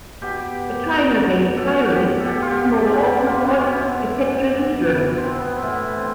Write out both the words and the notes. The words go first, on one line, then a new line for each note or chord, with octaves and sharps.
A triangle-based pyramid is more often called a tetrahedron.
B2 G4
B2
B2 A4
G4
B2 G4 A4
F4
G4
G4
B2
F4
D4
B2 E4
B2
B2 E4
C4
B3
A2 E3 B3
C4